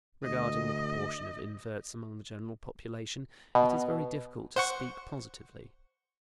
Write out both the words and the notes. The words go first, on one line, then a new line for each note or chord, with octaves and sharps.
Regarding the proportion of inverts among the general population, it is very difficult to speak positively.
D2 D#5
B2
C5 F#5 C#6